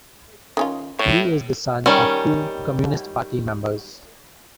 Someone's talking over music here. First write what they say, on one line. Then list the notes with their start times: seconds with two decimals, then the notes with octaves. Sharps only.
He is the son of two Communist Party members.
0.57 D#3 C#4 F4
0.99 A2 C#5
1.86 D#3 G3 C#4